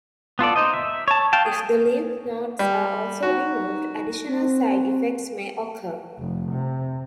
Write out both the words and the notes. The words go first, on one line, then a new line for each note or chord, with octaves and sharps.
If the lymph nodes are also removed, additional side effects may occur.
B3 F4 A4 D5
D#4 C5 D#5
E5
C#5 A5
F5 G5 A5
G#4
G3
D#4 F#4
C4
F1
C3